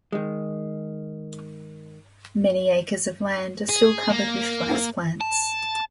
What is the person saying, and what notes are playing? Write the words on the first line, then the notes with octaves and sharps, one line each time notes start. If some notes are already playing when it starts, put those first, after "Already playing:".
Many acres of land are still covered with flax plants.
D#3 G#3
G#4
A#3
A5